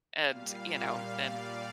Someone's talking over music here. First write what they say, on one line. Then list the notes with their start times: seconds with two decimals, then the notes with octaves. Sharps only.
and, you know, then
0.18 A#2 G3 F5
1.02 D5